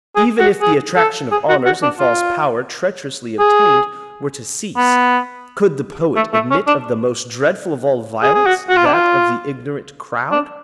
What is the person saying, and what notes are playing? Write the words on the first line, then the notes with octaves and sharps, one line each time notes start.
Even if the attraction of honors and false power treacherously obtained were to cease, could the poet admit of the most dreadful of all violence, that of the ignorant crowd?
G#4
F#4
G#4
A4
G#4
F#4
F#4
D4
F4
G#4
B3
A3
A3
C#4
D4
G#4
G#4
F#4
F#4
F4
D4
F4
D4